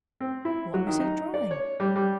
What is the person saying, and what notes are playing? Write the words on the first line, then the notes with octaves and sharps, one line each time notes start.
What was he drawing?
C4
E4
F#3
D#3
D#4
D5
C#5
G3
G3